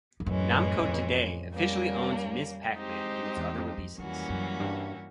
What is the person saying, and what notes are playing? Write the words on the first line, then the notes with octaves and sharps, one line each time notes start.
Namco today officially owns Ms. Pac-Man in its other releases.
F2
F#2 A2 E3 G#3 C#4
F#2
F2
G3 A#3 C#4
G#3 C4 D#4 G4 C5
E2
F2
F2
F2 E3 G3 A#3 C#4 F#4
F#2
G2